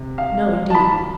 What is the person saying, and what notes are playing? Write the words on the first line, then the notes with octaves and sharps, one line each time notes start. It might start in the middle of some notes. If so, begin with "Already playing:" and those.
"No, indeed."
Already playing: C3
F5
A5
B5